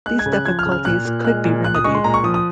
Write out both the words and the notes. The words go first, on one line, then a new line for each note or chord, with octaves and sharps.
These difficulties could be remedied.
G#3 F#6
G#6
C#3
F#6
F3 G#6
F6
C#3
F6
A#2 F#6
A#2
G#3 F#6
A#2
A#2 F#6
D#6
G#3 C#6
C6
A#2 A#5
C#6
F3 D#6
D#6